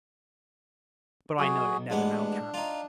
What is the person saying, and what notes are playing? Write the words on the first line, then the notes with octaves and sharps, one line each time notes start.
But, I know, it never now can.
B1 F#4 G#4
A1 G#3 B3 D4
D#4 F4